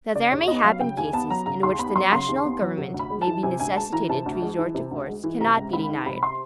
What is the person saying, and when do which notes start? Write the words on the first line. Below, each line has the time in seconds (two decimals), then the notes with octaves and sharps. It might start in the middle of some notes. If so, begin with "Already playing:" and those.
THAT there may happen cases in which the national government may be necessitated to resort to force, cannot be denied.
0.15 C#3 D5
0.32 D#2 C#5
0.48 B3 D#5
0.64 F#3 F5
0.80 C#3 G5
0.97 D#2 G#5
1.13 B3 A5
1.30 F#3 A#5
1.46 C#3 A#5
1.63 D#2 C6
1.79 B3 B5
1.96 F#3 C6
2.12 C#3 C6
2.28 D#2
2.45 B3
2.62 F#3
2.78 C3
2.94 D2
2.99 B5
3.10 G#3
3.22 A5
3.27 E3
3.43 C3 G#5
3.60 D2 G#5
3.76 G#3 A5
3.92 E3 A#5
4.09 C3 A5
4.26 D2
4.42 G#3
4.58 E3
4.75 C3
4.91 D2
5.08 G#3
5.24 E3
5.40 C3 A#5
5.57 C#2
5.73 C#2 B5
5.90 D#3
6.06 C3 B5
6.23 C6